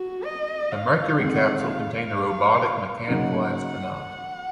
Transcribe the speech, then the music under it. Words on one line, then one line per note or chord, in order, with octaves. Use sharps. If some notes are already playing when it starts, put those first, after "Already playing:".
The Mercury capsule contained a robotic "mechanical astronaut".
Already playing: F#4
D#5
F5
F2 D#3 G#3 F#5
F5
C#3 F#3 A#3 D#4 F#5
F#5
F#5